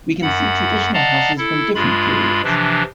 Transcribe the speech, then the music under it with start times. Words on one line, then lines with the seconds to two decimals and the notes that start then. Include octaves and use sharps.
We can see traditional houses from different periods.
0.22 F#2 F#5 B5
0.94 D5 D#5 F5 F#5 A5 A#5
1.38 E4 A4
1.75 G2 G#3 F4 B5
2.44 C3 E3 F3 D4